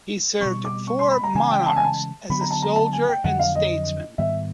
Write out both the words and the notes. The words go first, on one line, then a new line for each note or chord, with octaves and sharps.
He served four monarchs as a soldier and statesman.
B2 G3 C4 C#6
D6
C#6
C6
B5
A#5
C#3 E3 G#3 C#4 G#5
G5
A5
G#5
A5
D3 F#3 B3 B5
A#5
A5
A#5
A5
G#5
G5
F2 D3 F#3 F#5
F5
D#5
G#2 D#3 G3 B3 E5